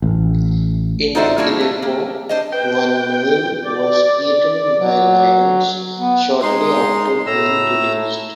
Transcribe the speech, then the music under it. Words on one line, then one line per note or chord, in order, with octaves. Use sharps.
In Kidepo one male was eaten by lions shortly after being released.
A1
D#4 F4 F#4 C5 D5 E5
G3 A#3 D4 E4 F#4
A3
A#3
D4 C5 D#5
B4 G5
D5
F#3
B3
G#3 D#4 C6
A2 A#5 E6